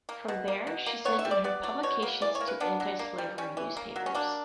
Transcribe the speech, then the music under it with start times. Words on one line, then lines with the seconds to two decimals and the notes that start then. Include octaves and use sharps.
From there, she sent in her publications to anti-slavery newspapers.
0.09 A#3
0.28 B2
0.48 A#3
0.67 B2
0.86 A#3
1.05 B3 C#5
1.19 E5
1.25 G3
1.31 D5
1.44 B3 D5
1.63 F#3 D5
1.83 B2 C#5
2.02 A#3 B4
2.21 E3 D5
2.35 C#5
2.40 A#3
2.47 B4
2.60 B3 D4
2.80 F#3
2.99 A#3
3.18 G3
3.38 G3 C#4
3.57 E3
3.77 A#3
3.96 F#3
4.06 C#4
4.14 A#3 D4